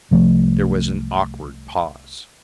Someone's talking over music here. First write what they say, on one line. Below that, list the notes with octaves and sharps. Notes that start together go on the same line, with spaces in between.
There was an awkward pause.
C2 F3 A3